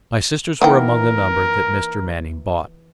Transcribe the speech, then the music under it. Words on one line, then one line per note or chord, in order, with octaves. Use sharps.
My sisters were among the number that Mr. Manning bought.
D#3 E3 A#3 A#4 F#5 G5